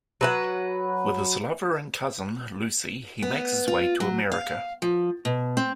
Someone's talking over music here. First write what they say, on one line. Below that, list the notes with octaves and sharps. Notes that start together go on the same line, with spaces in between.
With his lover and cousin, Lucy, he makes his way to America.
F#3 B4 F#5
B3
F4
F#3
F5
F3
B2
C4